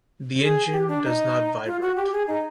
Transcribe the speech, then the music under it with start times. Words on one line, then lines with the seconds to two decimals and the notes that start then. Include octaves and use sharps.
The engine does not vibrate.
0.42 G#4
0.72 G4
0.88 D4
1.04 D#4
1.66 F4
1.81 F#4
1.96 G4
2.12 G#4
2.28 D#4